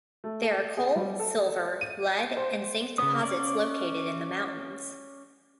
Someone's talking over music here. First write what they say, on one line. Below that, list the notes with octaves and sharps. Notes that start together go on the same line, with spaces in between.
There are coal, silver, lead, and zinc deposits located in the mountains.
A3
A4
G#4
G3
A4
D#7
C5
C#3 B3 D#6
C#4 D5